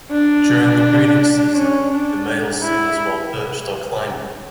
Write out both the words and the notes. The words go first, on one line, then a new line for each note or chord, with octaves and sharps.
During the breeding season, the male sings while perched or climbing.
D4
C#4
D4
E4